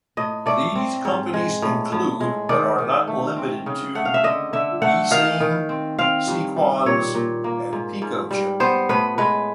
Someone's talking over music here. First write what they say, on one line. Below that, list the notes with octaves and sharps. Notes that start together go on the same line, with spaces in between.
These companies include, but are not limited to, Beceem, Sequans, and PicoChip.
A2 D#5
A3 D5
C4
G#2
G#3
A2
A2
G#3
D#3 D5
D#3
A3
C4
C#3
A3 F#5
F5
E5
D3 D#5
D3 E5
A3 F#5
D#3 F5
D#3
C4
C4 F5
G2
G3
A#2 C#5
A#2
A#3
G#2
G#2
G3
B3 C5
A2 B4
G#3 B4